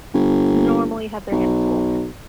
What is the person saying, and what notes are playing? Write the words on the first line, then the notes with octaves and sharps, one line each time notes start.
normally have their hands full,
G1
B1